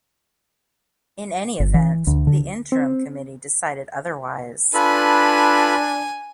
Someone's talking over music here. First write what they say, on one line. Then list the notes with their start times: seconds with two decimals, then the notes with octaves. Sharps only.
In any event, the Interim Committee decided otherwise.
1.60 G1
1.74 E3
2.07 D2
2.27 D3
2.72 C4
4.74 D4 F4 A4 B4 G#5 B5